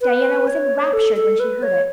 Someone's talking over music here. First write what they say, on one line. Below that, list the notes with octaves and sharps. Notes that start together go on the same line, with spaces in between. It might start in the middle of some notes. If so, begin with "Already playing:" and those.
Diana was ENRAPTURED when she heard it.
B4
C#5
A4
A4
B4
C#5